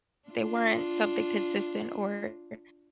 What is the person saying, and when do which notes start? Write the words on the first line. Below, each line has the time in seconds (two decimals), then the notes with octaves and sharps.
they weren't something consistent or r
0.29 D4 F4